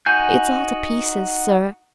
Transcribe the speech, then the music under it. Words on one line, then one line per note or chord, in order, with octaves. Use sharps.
'It's all to pieces, sir.
D#4 F#4 G#5 G6